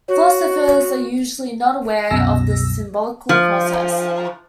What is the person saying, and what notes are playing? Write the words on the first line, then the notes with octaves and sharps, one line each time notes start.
Philosophers are usually not aware of this symbolical process.
F#4 C#5
C2 F#2 B2 E6 A#6
F3